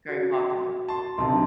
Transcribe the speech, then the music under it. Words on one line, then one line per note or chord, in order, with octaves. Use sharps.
very popular.
F#4
A5 C6
B1 C3 A5 C6
D4